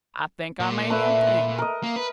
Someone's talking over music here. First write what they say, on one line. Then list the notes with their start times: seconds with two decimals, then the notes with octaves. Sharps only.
I think I made him think.
0.60 A#2
0.90 A3 B4 E5
1.58 A#4 D#5
1.83 A#3
1.96 B4